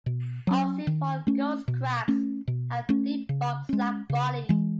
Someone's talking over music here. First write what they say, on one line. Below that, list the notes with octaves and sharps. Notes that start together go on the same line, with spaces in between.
"Ocypode" ghost crabs have deep box-like bodies.
B2
F#3 C#4
D#3
A3 C#4
B2
A3 C#4
B2
A3 C#4
C#3
G#3 C#4
C#3
E3 G#3